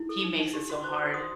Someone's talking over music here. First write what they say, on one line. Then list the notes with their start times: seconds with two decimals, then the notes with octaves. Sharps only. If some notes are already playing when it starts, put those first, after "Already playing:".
He makes it so hard
Already playing: E4
0.09 A4
0.24 D#4
0.40 D#4
0.54 G4
0.70 F#4
0.84 C5
1.00 C5
1.14 F#4 D#6